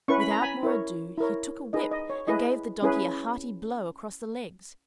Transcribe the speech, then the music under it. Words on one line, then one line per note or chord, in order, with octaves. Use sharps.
Without more ado, he took a whip and gave the Donkey a hearty blow across the legs.
C#4 E4 B4 C#6
B5
A#5
G#5 B5
E4 A#4 C#5
E4 A#4 C#5
D#4 G#4 B4 D#5
D#5
C#5
E4 G#4 B4 D#5
C#4 E4 G#4 B4